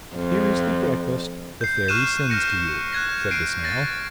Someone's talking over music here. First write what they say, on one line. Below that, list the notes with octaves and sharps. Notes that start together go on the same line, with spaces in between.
"Here is the breakfast the Fairy sends to you," said the Snail.
F2
G6 C7
C#6 F6 F#6 D#7 E7
F6 G6 A#6 C#7
F#6 G#6 A#6
C7 D7 D#7
A6 A#6